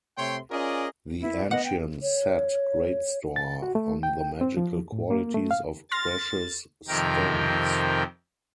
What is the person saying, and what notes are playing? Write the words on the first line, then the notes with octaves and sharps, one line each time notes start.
The ancients set great store on the magical qualities of precious stones.
C3 A3 C#5 G5 C6
C#4 F4 G#4 A#4 D5 D#5
B3 E4
D5
B3 D#5 F#5
G5
C#5
A6
F#4
A3
G5
C4
F3
A2
A#3
A3
F5
C6 F6 A6 A#6
F2 C3 D#3 A#4 G5